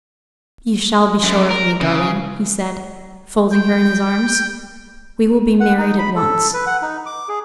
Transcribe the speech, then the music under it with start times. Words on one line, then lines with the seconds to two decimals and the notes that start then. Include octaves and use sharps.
"You shall be sure of me, darling," he said, folding her in his arms. "We will be married at once."
1.24 F#2
1.51 A#4
1.81 C#3
3.53 G5
5.60 F#5
5.78 D#4
5.99 B5
6.16 A4
6.54 B4
6.67 F#5
6.82 D#4
7.06 D6
7.29 G#4